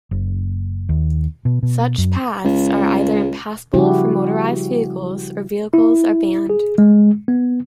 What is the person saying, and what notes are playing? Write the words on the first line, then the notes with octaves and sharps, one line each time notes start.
Such paths are either impassable for motorized vehicles, or vehicles are banned.
F#1
D#2
B2
B2
F#2
C#2
C#3 F3 G3 E4 F#4 G4
E4
G#4
G#3
B3